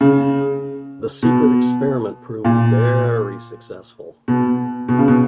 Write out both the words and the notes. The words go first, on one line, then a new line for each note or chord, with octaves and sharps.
The secret experiment proved very successful.
C#3
B2
A#2
B2
B2
C#3
B2